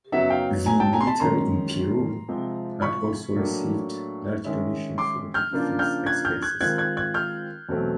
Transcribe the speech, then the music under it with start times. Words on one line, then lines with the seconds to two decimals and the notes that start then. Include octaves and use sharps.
The military in Peru had also received large donations for the defense expenses.
0.12 F#2 C#3 F#3 B3 D#4 E5 F#5
0.30 F5 G5
0.66 G#5 A#5
0.80 G5 A5
0.93 G#5 A#5
1.01 C6
1.07 A5 B5
1.20 F#2 D#3 G#3 C#4 A#5 C6
2.28 C3 F3 G#3 C4
2.82 B5 C#6
3.36 A2 F#3 A#3 D4
4.44 D#3 G#3 C#4 E4
4.98 C6 D6
5.34 F6 G6
5.52 C#3 F3 A#3 D4 F4
5.79 F6 G6
6.06 F#6 G#6
6.25 F6 G6
6.42 F#6 G#6
6.61 D#3 G#3 C4 F4 F#6 G#6
6.78 F#6 G#6
6.97 F#6 G#6
7.14 F6 G6
7.69 E2 B2 F#3 A3 C4